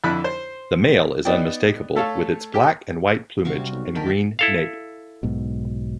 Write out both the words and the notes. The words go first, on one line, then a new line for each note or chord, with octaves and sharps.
The male is unmistakable, with its black and white plumage and green nape.
F2 D3 E4 B5 F#6
C5
B3 D#4 D5 G5
A3 A4 C#5 F5
G4 G5
F#2 C3 G3 F#4 F5 C#6
B1
D3 D#3 A#4 A5 G6 B6
E4 A4 F5
B1 G#2 B2